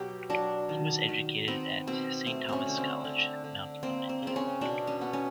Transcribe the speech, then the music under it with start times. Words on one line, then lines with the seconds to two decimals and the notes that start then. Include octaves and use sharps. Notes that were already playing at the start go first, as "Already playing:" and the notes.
He was educated at S. Thomas' College, Mount Lavinia.
Already playing: B2 F#3 G4
0.30 F#3 D4
0.69 D#3
1.09 D#3
1.48 B3 C4
1.87 B2 C4
2.26 A3 C4
2.49 C4 C#4
2.66 D3
2.78 C4
3.04 D3
3.44 D3
3.83 A#3 C4
4.09 C4
4.22 C#3 C4
4.36 C#4
4.61 B2 D4
4.87 C#4
5.01 B3
5.13 C#4